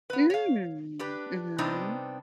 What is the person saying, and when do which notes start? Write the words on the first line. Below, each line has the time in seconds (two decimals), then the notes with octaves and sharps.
Mm, mhm.
0.10 B3 B4
0.30 C#5 F5
0.99 D4 G4 B4
1.58 C3 G3 B3 C4 D4 D#4